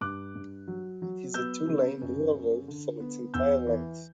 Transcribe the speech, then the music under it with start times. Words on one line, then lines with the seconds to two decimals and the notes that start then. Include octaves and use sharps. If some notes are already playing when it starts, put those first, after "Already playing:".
It is a two-lane rural road for its entire length.
0.01 G2 D6 F#6
0.35 G2
0.67 F#3
1.02 F#3
1.34 B3 E6 G6
1.67 C#3
2.02 F#2
2.35 F#2
2.68 D3
3.00 B3
3.34 E2 E6 G6
3.67 E3